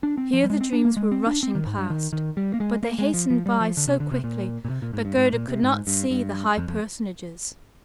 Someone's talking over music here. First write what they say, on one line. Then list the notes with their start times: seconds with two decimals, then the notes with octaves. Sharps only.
Here the dreams were rushing past, but they hastened by so quickly that Gerda could not see the high personages.
0.03 D4
0.18 C4
0.33 F3
0.44 G3
0.50 G#3
0.61 C4
0.73 D4
0.85 A#3
0.97 G#3
1.12 C4
1.27 D4
1.43 C4
1.55 D#3
1.66 G#2
1.78 G2
1.90 D#3
2.13 D#3
2.37 G3
2.54 A#3
2.60 G#3
2.83 A#3
2.99 G#3
3.14 F3
3.30 F3
3.46 G3
3.61 F3
3.77 D3
3.88 C3
4.00 D3
4.12 C3
4.24 A#2
4.65 A#2
4.70 C3
4.82 A#2
4.93 G#2
5.05 G2
5.17 G#2
5.33 A#2
5.48 C3
5.63 G#2
5.87 G2
6.11 G2
6.58 F2
6.68 F2